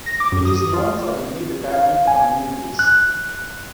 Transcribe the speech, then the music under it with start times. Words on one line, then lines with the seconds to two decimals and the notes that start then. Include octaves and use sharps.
It is known for many retirement communities.
0.06 A#6
0.20 D6
0.32 F#2
0.45 D#6
0.74 F4
1.72 F5
2.07 G#5
2.79 F#6